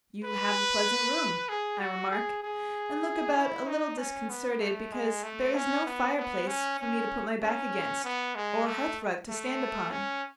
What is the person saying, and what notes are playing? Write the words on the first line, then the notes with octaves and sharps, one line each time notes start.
"You have a pleasant room," I remark, and look about a little disconcerted because there is no fireplace for me to put my back against, or hearthrug to stand upon.
B4
G#4
F#4
G#4
G#4
E4
D#4
C#4
B3
A3
G#3
A3
C#4
B3
B3
C#4
C#4
C#4
B3
G#3
A3
A3
C#4